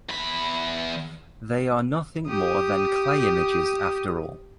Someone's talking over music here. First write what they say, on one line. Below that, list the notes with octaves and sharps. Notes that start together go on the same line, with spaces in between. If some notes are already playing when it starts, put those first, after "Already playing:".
They are nothing more than clay images after all.
E2 B5
G4 D#6